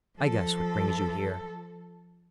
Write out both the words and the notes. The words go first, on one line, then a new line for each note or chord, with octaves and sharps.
'I guess what brings you here.'
F3 A4